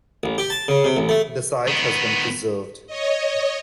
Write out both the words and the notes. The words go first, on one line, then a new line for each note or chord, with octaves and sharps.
The site has been preserved.
A1
G4
A5
C#3
C3
A1
A3
D#3 B3
C#5 D#5